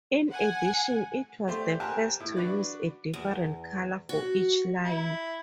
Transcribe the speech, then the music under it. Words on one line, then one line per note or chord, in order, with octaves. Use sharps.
In addition, it was the first to use a different color for each line.
F#5 G#5
A3 G4 C5 D5
G4 A#4 C5 G#5 A5 F#6
A2
D4 F#4 B4 D5
E2
F#4
E4